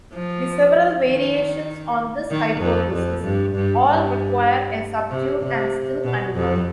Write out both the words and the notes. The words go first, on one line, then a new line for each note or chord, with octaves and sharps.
The several variations on this hypothesis all require a subdued and still animal.
F3
D#3
D#3
F2
F2
G2
G2
G2
C3
C3
B2
F2